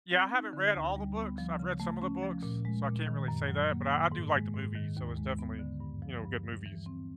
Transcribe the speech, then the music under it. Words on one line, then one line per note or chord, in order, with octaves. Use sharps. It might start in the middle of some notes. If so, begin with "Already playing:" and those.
Yeah, I haven't read all the books. I've read some of the books, so I can't really say that, but I I do like the movies, so it's definitely, you know, good movies.
C4
D#4
D3
D2
G3
B3
F3
C#3
A3
C#4
F3
A#2
G#3
A#2
D#3
F#2
F#3
A#3
D#3
G#2
G#3
G#2
D#3
D#2
G#3
B3
D3
G2
F3
G2
G3
E3
C4